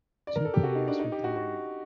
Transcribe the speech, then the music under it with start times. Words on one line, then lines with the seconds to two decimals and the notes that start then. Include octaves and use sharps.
Two players retired.
0.27 D5
0.36 A#4
0.45 A4
0.54 G4
0.63 F#4
0.75 D#4
0.88 D4
0.99 D#4
1.12 G4
1.24 F#4
1.36 F#4